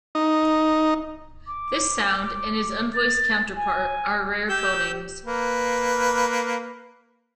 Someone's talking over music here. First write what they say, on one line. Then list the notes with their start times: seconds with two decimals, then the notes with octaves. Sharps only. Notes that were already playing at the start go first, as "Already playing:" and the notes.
This sound and its unvoiced counterpart are rare phonemes.
0.15 D#4
1.46 D6
2.93 A6
3.56 G#5
4.49 G4 E6 G6
5.25 A#3 B4